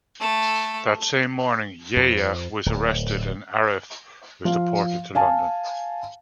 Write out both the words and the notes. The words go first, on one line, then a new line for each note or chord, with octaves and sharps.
That same morning Yahya was arrested and Arif was deported to London.
A3 A4
F2
D1
F3 F5
F5 G#5 A5